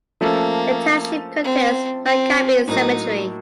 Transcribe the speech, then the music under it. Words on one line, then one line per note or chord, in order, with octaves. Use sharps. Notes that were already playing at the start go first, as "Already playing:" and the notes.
The township contains MacCabee Cemetery.
F3 A3 A#3 C#4 A4
C4
C4
A2 F#3 A#3 D#4